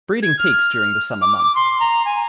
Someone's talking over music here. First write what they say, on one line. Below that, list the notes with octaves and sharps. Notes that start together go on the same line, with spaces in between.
Breeding peaks during the summer months.
G#6
F6
D6
D6
C6
A#5
G#5